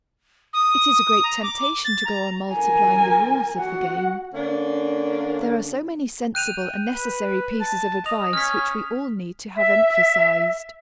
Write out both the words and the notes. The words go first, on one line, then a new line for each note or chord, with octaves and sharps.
It is a great temptation to go on multiplying the rules of the game. There are so many sensible and necessary pieces of advice which we all need to have emphasized.
D#6
A#5
D6
A6
A#5
A#4 G#5
F#4 F#5
D3 A#3 C#4 D4
G5 F#6 D#7 F7
B4
A5
D#5 D#6 F7
C#4 F6 B6
E5